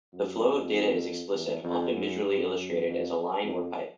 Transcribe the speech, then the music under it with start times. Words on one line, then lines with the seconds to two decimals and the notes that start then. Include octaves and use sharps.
The flow of data is explicit, often visually illustrated as a line or pipe.
0.13 F#2
0.43 F2
1.33 E2
1.63 F2
1.93 F#2
2.23 G2
2.53 F#2
2.84 F2
3.43 F2